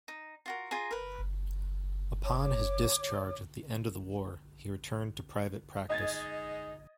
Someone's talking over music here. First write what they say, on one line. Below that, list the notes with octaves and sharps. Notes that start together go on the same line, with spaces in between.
Upon his discharge at the end of the war, he returned to private practice.
D#4
F4 F#4 A#4
F4 G#4 G#5 A#5
A#4 B4
C#5 D6
G#3 D#4 D#5 G#6 A6